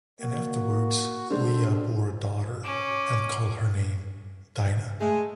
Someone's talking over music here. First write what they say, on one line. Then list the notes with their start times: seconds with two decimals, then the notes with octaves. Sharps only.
And afterwards Leah bore a daughter, and called her name Dinah.
0.21 A#3 F#4
1.30 D3 G3 G#3 C5
2.63 C#4 D6
5.00 G#3 A3 E5